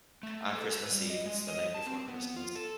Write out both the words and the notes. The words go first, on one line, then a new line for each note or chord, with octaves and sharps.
on Christmas Eve, it's the night before Christmas,
A3
A4
B4
G3
D#5
G#3
D#5
A5
C4
B3
F4
A4